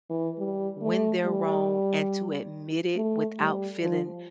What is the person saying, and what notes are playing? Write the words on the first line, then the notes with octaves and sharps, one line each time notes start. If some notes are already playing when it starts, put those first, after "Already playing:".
when they're wrong and to admit it without feeling,
E3
G3
A3
G3
A3
G3
F3